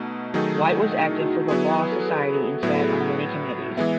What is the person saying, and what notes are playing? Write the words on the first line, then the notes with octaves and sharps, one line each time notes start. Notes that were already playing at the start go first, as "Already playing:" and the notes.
White was active for the law society and sat on many committees.
Already playing: B2 A3 D#4 F#5
D#3 F#3 A3 D#4 G#4
D#5
D#4
E4
F#4
F#3 B3 E4 G#4
B4
A4
G#4
A4
A2 F#3 B3 E4 F#4
A4
G#4
F#5
E3 G#3 B3 E5